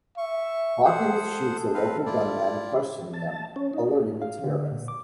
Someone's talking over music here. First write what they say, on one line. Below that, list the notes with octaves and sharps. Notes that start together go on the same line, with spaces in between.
Hawkins shoots a local gunman questioning him, alerting the terrorists.
E5 C#6
G#4 A4 C5 F#5
C4 B4 F5
E4 F4 D5
A5
C#4
D#4
F5
D3
A#2
D6